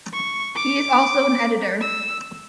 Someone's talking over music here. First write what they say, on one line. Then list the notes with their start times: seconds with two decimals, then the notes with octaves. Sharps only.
He is also an editor.
0.13 C#6
0.55 D6
1.81 E6